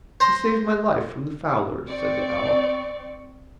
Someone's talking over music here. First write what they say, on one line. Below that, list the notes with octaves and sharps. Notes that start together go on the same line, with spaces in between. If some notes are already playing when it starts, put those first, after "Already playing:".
"You saved my life from the fowlers," said the owl.
C5 A#5 C6
C4 D5 C#6